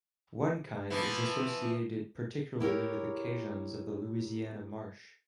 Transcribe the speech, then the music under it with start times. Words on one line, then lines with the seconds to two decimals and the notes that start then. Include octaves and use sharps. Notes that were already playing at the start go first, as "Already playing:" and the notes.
One kind is associated particularly with the Cajuns of the Louisiana marsh.
0.90 E3 F3 B3
2.60 E4 G4 A#4 C#5